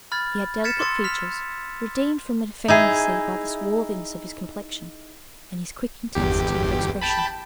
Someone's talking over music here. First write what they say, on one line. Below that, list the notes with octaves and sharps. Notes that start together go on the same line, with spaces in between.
He had delicate features, redeemed from effeminacy by the swarthiness of his complexion, and his quick intensity of expression.
B5 F6 G#6 A6
F6 G#6 A6 B6 C#7 E7
C6 D6 E6 A6 C#7
F6 B6 F7
D#4 E4 G#4
G1 E2 G4
G5 A5 B5